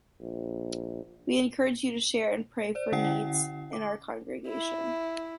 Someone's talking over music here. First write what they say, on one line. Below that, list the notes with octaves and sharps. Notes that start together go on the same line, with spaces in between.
We encourage you to share and pray for needs in our congregation.
A#1
C5 D5
D3 C#4 E4 F#5 G5 C7
D6
E4